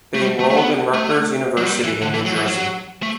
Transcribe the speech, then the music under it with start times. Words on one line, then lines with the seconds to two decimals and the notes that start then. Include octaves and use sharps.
They enrolled in Rutgers University in New Jersey.
0.15 A3
0.21 G3
0.40 A3
0.50 A3
0.57 B3
0.94 A3
1.57 F#3
1.65 G3
1.84 E3
2.02 D3
2.14 E3
2.26 F#3
2.35 E3
2.46 F#3
3.03 A3